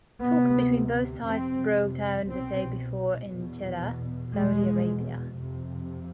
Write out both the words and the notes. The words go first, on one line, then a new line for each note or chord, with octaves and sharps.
Talks between both sides broke down the day before in Jeddah, Saudi Arabia.
D2 C3 B3
F2 C3 C4
C2 B2 C4
E2 B2
E2 B2 G#3
F2 C3